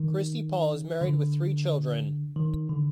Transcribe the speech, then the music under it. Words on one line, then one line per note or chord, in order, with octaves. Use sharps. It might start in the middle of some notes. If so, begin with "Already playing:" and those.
Christi Paul is married with three children.
Already playing: D#3
D3
D#3
D3